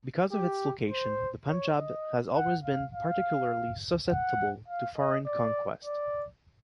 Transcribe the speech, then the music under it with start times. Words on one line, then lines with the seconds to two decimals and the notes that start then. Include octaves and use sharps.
Because of its location, the Panjab has always been particularly susceptible to foreign conquest.
0.32 G4
0.89 C5
1.48 C#5
1.77 D#5
2.35 F#5
2.64 F5
2.93 F5
4.10 F#5
4.68 F5
4.97 D#5
5.26 D5
5.84 D5